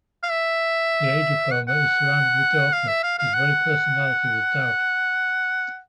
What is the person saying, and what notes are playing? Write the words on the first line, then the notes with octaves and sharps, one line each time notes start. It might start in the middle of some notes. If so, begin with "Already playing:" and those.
The age of Homer is surrounded with darkness, his very personality with doubt.
F5
E5
F#5
F#5
F5
E5
F5
F5
F#5